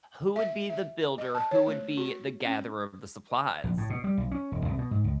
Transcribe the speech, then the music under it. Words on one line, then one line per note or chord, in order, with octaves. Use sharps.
who would be the builder, who would be the gatherer of the supplies?
E5
E5
D#5
A5
C#5
A3
F#4
C#4
A#1
A2
B2
G3
B1
C#4
E1
C2
B2
G#2
C#2